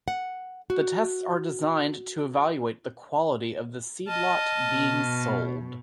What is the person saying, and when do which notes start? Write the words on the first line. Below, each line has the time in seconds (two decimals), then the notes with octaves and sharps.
The tests are designed to evaluate the quality of the seed lot being sold.
0.08 F#5
0.70 F#4
4.07 D#5 A5 F6
4.71 B2